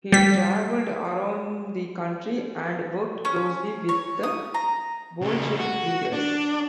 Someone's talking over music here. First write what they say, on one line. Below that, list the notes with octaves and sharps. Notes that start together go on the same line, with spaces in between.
He traveled around the country and worked closely with the Bolshevik leaders.
G3 B6
C#4
C#5
D#6
A#5
C#3 A3
F#4
D4